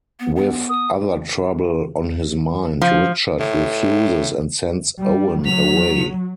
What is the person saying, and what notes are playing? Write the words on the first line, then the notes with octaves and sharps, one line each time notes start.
With other trouble on his mind, Richard refuses and sends Owen away.
B3
B3
D#6
F3
A2
G3
F#3 B6 F7